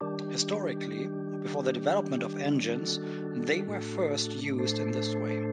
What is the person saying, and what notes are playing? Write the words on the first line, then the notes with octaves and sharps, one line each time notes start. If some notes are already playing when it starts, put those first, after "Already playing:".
Historically, before the development of engines, they were first used in this way.
D#3 G3 D4 G4
F#4 A4
A2 A3 D4
A4 C5